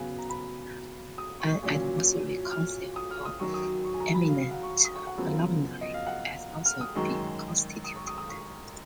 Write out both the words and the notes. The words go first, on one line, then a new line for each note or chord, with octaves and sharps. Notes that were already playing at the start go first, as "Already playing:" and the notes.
An Advisory Council of eminent alumni has also been constituted.
Already playing: C#3 F#3 B3 G#5
A#5
B5
D#6
C#6
A#2 F#3 C#4
F6
D#6
F6
D#6
F#2 D#3 F#3 C#6
D#6
C#6
G#5
A#5
B5
F5
F5
F#5
C#6
D#6
C#6
F#5
F#2 C#3 F3 B3
D#5
F5
F#5
F6
D#6
F#2 D#3 G#3 C#6
D#6
C#6
D#6
D#6
C#6